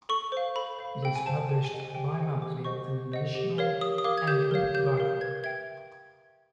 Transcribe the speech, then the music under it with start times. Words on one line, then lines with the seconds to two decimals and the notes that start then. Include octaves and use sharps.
It is published bimonthly with an additional annual guidebook.
0.09 A4 C#6
0.32 C5 F5
0.56 A4 B5
0.79 C5 F5
1.03 A4 G5
1.15 G#5
1.26 C5 F5 A5
1.49 G4 G#5
1.64 G#5
1.72 C5 D#5 F#5
1.80 G#5
1.90 G#5
1.95 G4 G5
2.18 C5 G#5
2.21 D#5 F#5
2.42 G4 D6
2.65 C5 D#5 F#5 C#6
2.88 G4
3.12 C5 D#5 F#5
3.35 G4
3.58 A#4 C#5 F5
3.81 G4 D#6
3.98 D#6
4.04 A#4 C#5 F5 D6
4.18 G#6
4.27 G4 G6
4.51 A#4 C#5 F5
4.74 G4 G6
4.97 A#4 C#5 F5
5.21 B4 G#6
5.44 E5 G5 G#6